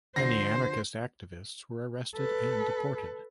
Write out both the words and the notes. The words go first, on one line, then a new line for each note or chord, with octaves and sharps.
Many anarchist activists were arrested and deported.
D3 F3 A3 C5 A#6 C7
A4 B4